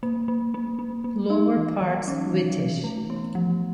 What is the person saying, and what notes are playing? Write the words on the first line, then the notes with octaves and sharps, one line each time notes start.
Lower parts whitish.
A#3
A#3
A#3
A#3
A#3
D#4
E3
E3
C#4
E3
E3
A3
B3
F3